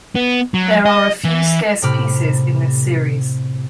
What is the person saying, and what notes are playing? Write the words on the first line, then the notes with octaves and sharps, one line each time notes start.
There are a few scarce pieces in this series.
B3
F#3
D#5
E3
A2 C3 B5 D6 F6